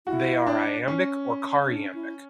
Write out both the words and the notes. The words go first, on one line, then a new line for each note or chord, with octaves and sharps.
They are iambic or choriambic.
E4 F#4
D4
C#4
D4
E4